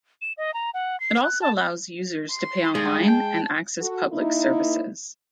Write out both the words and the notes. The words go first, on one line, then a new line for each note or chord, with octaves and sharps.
It also allows users to pay online and access public services.
E7
D#5
A#5
F#5
C7
F#6
A5
C6
G2 G#3 D#6
G5 A5
F#4 A4
A#3 D#4 E4